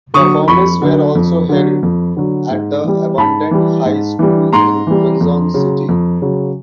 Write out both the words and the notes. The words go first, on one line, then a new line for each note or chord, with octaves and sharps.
Performances were also held at an abandoned high school in Quezon City.
D3 F#3 C#6 D#6
F2 B5 C#6
D3 F#3
F2
D3 F#3
F2
D3 F#3
G#2
E3 G3
G#2 A5 B5
E3 G3
G#2
E3 G3
G#2 A#5 C6
E3 G3
F2
C#3 F#3
F2
C#3 F#3